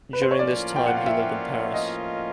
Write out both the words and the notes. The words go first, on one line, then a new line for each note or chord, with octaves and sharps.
During this time he lived in Paris.
B4
C5
C#5
A2 F3 A#3 C#4 F4 D5
G5
F#5
F5
E5
D#5